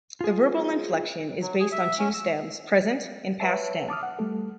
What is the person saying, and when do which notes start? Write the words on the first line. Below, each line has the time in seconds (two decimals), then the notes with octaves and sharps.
The verbal inflection is based on two stems: present and past stem.
0.21 F4 G#4
1.41 F#3
1.60 G#4
1.72 E5
1.99 C#4
2.14 E6
3.40 B4 C#5 E5 A5
3.89 A5 D6 D#6 F6
4.03 F#5
4.19 G3 A3 A4